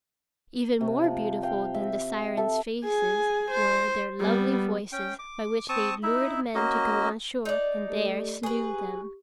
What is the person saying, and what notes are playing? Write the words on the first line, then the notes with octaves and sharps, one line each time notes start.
Even more beautiful than the Sirens' faces were their lovely voices by which they lured men to go on shore and there slew them.
C3
F3
F5 G5
E5
A4 E5
G#4 G#5
C5
G3 B3
C#4 G5
D6
C4 A5 C#6 D#6
D#4 E4 E5
A#3 C#4 F#4 D#5
D#4 D5
A3 G4 A4
G4 G#4 B4 C#6